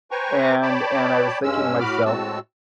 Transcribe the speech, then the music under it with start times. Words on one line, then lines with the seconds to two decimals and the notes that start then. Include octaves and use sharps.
And and, I was thinking to myself,
0.11 B4 C5 G5 G#5 A#5 C#6
0.62 C#5 D5 G5 A5 B5 D6
1.44 G2 G#3 C#4 E6
1.80 A2 F#4 B5 D6 F6
2.05 A2 G#3 C4 F#4 A5 E6